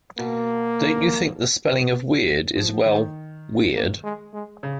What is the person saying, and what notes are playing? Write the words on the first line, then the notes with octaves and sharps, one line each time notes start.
Don't you think the spelling of weird is, well, weird?
B2 A#3
F3
D#3
A#3
G#3
G#3
C#3